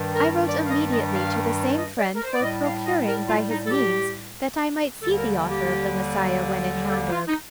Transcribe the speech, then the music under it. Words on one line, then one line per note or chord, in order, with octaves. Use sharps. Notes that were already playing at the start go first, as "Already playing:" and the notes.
I wrote immediately to the same friend, for procuring, by his means, that I might see the author of the 'Messiah' when in Hamburg.
Already playing: G2 D#3 G3
A#4
D5
F5
D#5
D#5
F5
D#5
D5
A#4
C5
D5
A2 G3 D#5
D#5
F5
D#5
A#4
F4
D#4
A4
G4
D#2 D3 G3 A4
A#4
G4
A4
G4
F4
D#4